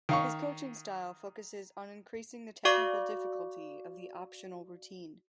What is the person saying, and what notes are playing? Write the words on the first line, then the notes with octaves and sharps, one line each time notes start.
His coaching style focuses on increasing the technical difficulty of the optional routine.
D#3 F5 C#6
F#4 D5 F5 C#6 D6